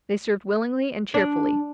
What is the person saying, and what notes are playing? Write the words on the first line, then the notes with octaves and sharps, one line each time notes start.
They served willingly and cheerfully.
D4